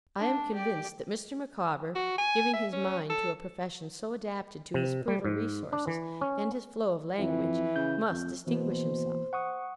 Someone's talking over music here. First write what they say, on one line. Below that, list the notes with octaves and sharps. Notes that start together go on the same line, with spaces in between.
I am convinced that Mr. Micawber, giving his mind to a profession so adapted to his fertile resources, and his flow of language, must distinguish himself.
D4
G4 D5
F#4
G#5
E5
C#4
A4
C3
G3
G#2
D4
E3
C#4
F2 E3
C#3 G6
F2
B2 E3 A#3 C5
F#5 C#6 D#6